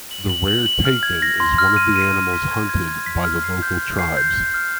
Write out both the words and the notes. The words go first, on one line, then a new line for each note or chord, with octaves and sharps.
The rare takin is one of the animals hunted by the local tribes.
F#7
F#7
F#7
F#7
F6
G#6
A#6
C6
F6
D#7
D#7
F6
B6
G#6
G#6
G#6
B6
F6
C7
G6
G6
C7
G6
G6
F6